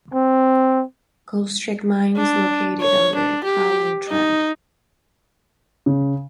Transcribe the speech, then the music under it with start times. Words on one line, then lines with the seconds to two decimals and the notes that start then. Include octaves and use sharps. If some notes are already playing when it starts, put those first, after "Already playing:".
Goldstrike mine is located on the Carlin Trend.
0.14 C4
2.16 D4
2.81 C#5
3.15 D4
3.44 G4
4.09 D#4
5.86 C#3